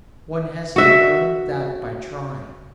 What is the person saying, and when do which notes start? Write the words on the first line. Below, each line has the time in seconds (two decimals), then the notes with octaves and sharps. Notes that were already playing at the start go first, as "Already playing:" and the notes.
One has to learn that by trying.
0.76 F#4 E5